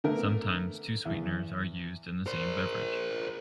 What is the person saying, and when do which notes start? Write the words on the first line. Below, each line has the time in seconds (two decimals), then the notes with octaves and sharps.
Sometimes two sweeteners are used in the same beverage.
0.04 D3 A3 B3 A#4
1.05 E2
2.26 A#4 C5